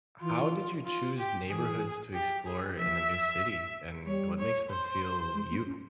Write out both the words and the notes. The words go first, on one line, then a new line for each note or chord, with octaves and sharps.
How did you choose neighborhoods to explore in a new city and what makes them feel you?
E3 F4
F4
G4
E3 G#4
G4
G#4
F3 E5
G3 C#5
C#5
C5
G#3
A#3
C#4